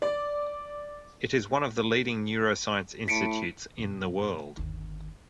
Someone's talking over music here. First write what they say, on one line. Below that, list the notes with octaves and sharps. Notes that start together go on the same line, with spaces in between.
It is one of the leading neuroscience institutes in the world.
D5
A2 B6 C#7 D7
F#2 B2
G1 D#2